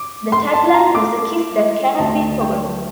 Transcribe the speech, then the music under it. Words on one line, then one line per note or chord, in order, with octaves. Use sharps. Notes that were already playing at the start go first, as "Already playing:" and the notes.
The tagline was A kiss that cannot be forgotten!
Already playing: D6
C6
A5
A#5
D6
D2 D3 A3 A5
G5